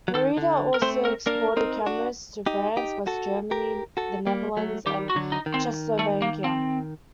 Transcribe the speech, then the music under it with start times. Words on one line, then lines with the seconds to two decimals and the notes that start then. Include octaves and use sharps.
Norita also exported cameras to France, West Germany, the Netherlands, and Czechoslovakia.
0.08 F#3
0.14 D#3 A4
0.37 D3
0.74 A#4
0.82 A3 C4 C5
1.05 A#4
1.26 A#3 D4 A#4
1.57 C4 D#4
1.86 D4 F#4
2.46 D#4 G4
2.77 D#4 G4
3.07 F#4 A4
3.51 G4 A#4
3.97 F#4 A4
4.27 G3 A#3
4.57 F#3 A3
4.86 D#3 G3 G4
5.10 F#4
5.16 D3 F#3
5.32 D#4
5.46 D#3
5.54 C4
5.99 A3
6.22 A#3
6.44 C4